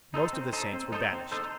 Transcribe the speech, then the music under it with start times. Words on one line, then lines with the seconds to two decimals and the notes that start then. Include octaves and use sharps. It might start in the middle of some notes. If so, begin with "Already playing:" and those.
Most of the saints were banished.
0.14 D#4 A4 C5
0.33 C4
0.53 D#4 A4 C5
0.73 C4
0.92 D#4 A4 C5
1.13 C4
1.32 D#4 A4 C5